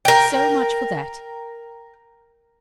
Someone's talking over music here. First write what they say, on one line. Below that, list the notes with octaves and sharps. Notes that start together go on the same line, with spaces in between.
So much for that.
A#4 G5